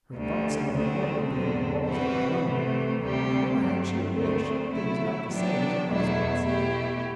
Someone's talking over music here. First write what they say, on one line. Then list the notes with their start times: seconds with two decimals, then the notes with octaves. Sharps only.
Her thoughts never wandered beyond the walls of her dwelling, nor had she a wish that was not the same as her husband's.
0.14 D2 D3 G3
0.71 D2 D3 A3 C4
1.29 E2 D3 F#3 C4
1.86 E3 G3 C4 F#4 B4
2.43 C3 E3 A3
3.01 D2 C3 G3 C4 G4
3.58 G2 F#3 A3 C4
4.15 D2 D3 A3 C4
4.72 F#3 A3 E4
5.30 F#3 B3 D4 G4
5.87 E2 B2 F#3 A3 E4
6.45 B2 A3 E4 G4